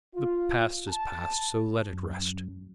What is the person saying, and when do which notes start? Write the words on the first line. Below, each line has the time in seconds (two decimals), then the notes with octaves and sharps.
The past is past, so let it rest.
0.14 F4
0.88 A5
1.93 F#2